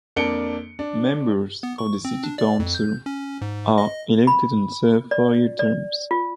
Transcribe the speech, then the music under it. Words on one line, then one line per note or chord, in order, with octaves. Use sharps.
Members of the City Council are elected and serve four year terms.
F2 A#3 D4 C#7 D7 G7
D4
B3
C#6
C4
D4
D5
F2
G6
C#4
G#2
D#5
B5
D5
D5
F4